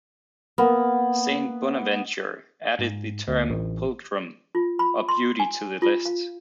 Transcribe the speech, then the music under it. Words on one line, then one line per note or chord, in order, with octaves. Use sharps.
Saint Bonaventure added the term "pulchrum" or beauty to the list.
A#3 B3
G#2
D2
A1
F4
B5
C6
G#5
F4
F5